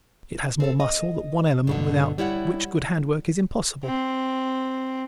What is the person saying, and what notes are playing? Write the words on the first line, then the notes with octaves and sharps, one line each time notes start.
It has more muscle, that one element without which good hand work is impossible.
C4 A4
D#5
G2 B2 D3
G3 E4 C#5 F#5
C4